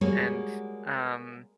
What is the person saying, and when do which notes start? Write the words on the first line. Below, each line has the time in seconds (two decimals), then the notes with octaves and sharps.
and, um,
0.01 G3 G#3 A#3 F#4 G#4 C#5